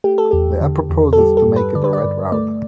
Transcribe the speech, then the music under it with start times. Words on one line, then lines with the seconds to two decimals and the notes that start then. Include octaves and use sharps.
There are proposals to make it a red route.
0.04 A3 G4
0.18 A4
0.31 E2 G4
0.61 D3
0.90 E2
1.13 A4
1.18 G3 G4
1.37 A4
1.47 G2
1.56 B4
1.75 D3 D5
1.84 B4
1.93 D5
2.04 G2
2.32 A3 D5